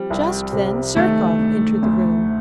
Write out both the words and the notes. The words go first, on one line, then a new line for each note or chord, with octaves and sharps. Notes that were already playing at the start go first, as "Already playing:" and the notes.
Just then Zherkov entered the room.
Already playing: F3 G3 C4
C2
C3
D#3 A3
D2
D2